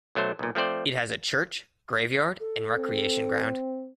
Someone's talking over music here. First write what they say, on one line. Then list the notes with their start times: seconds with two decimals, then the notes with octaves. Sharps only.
It has a church, graveyard and recreation ground.
0.15 B1 F#3 A3 C5
0.39 B1 A#2
0.55 F3 A3 C4 C5 D5
2.40 A4
2.77 C4